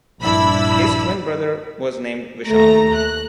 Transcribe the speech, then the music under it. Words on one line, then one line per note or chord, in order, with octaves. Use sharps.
His twin brother was named Vishal.
A#1 G2 D4 E4 B5 E6
D#2 A3 A#5 A#6
F#6